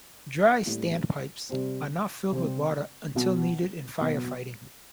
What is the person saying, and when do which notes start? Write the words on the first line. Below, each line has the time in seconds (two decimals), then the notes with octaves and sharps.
Dry standpipes are not filled with water until needed in fire fighting.
0.65 A2 G3 C4 E4
1.49 C3 G3 C4
2.32 C3 G3 C4
3.16 B2 F#3 B3
4.00 B2 F#3 B3